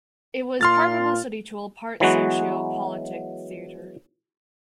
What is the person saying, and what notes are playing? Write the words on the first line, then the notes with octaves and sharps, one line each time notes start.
It was part publicity tool, part socio-political theatre.
A#2 F4 C6 F6 A6
E3 F#3 G#3 B3 F#4